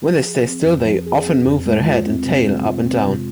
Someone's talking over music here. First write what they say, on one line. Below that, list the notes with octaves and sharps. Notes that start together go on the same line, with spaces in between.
When they stay still, they often move their head and tail up and down.
F3
G#4
C4
F2
F3
G#4
C4
F2
G#3
F4
C4
C3
G#3
F4
C4
C3